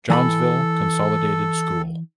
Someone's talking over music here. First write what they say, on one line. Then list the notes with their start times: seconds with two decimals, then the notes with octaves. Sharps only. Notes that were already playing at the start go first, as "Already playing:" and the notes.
Johnsville Consolidated School.
0.10 E3 A4 A#5 B5